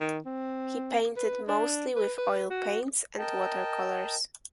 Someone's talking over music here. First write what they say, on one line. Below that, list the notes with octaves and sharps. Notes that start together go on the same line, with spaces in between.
He painted mostly with oil paints and watercolours.
D#3
C4
B4
D4
B4
B4
F#4
A#4 D#5 G5 A5